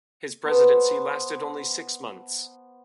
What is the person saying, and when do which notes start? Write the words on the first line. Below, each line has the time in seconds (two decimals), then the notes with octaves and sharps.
His presidency lasted only six months.
0.44 B3 A4 B4 C5